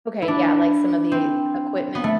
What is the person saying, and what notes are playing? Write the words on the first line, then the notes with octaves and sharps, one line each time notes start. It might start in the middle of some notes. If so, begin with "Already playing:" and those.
Okay, yeah, like, some of the equipment?
E4
D4
C4
B3
A3